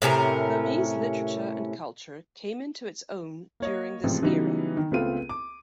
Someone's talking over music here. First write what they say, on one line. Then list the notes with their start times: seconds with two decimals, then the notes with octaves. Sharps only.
Burmese literature and culture came into its own during this era.
0.02 A2 C3 C#4 A#4
3.60 A#3 C#5 D#5
4.04 A1 G#2 C3 E3 F3
4.22 C#3 E3 F#3 G3 B3 D#4
4.77 D#3
4.91 C#2 A3 B3 C4 F4 D#7
5.29 D6